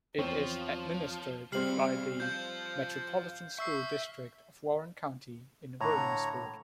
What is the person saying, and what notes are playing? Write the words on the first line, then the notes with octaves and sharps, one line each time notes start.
It is administered by the Metropolitan School District of Warren County in Williamsport.
E2 F3 C4 C#5
C3 G3 C4 G#4 F6 C7 F#7
F4 C5 F5 G6
E5 C#6 E6 C7
A2 D3 C#5 A#5